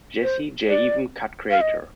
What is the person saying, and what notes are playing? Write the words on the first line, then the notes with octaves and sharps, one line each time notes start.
Jazzy Jay-even Cut Creator.
C5
D5
F5
D#5